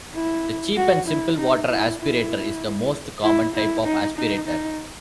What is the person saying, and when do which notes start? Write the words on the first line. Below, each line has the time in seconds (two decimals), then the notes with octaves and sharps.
The cheap and simple water aspirator is the most common type of aspirator.
0.15 E4
0.77 F#4
1.07 E4
1.38 D#4
1.69 E4
2.00 E4
3.23 E4
3.54 E4
3.85 D#4
4.17 D#4
4.47 D#4